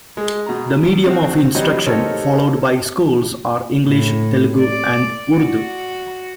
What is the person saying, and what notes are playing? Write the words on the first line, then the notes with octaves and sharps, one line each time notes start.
The medium of instruction followed by schools are English, Telugu and Urdu.
G#3
B2 A#5
C4 F#4
E3 F#3 G3 C4 C#5 D#5
D#4 G4 A4 A#4 C5 C#5
A2
D5
F#4